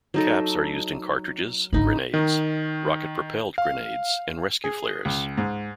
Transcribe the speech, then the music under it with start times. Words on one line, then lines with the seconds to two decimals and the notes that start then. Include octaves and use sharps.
Caps are used in cartridges, grenades, rocket-propelled grenades, and rescue flares.
0.14 F#3 D#4 A4
1.73 G#1 D3 D#4 B5
2.14 D#3
3.58 F5
4.64 G#4
5.05 C#2
5.37 G#2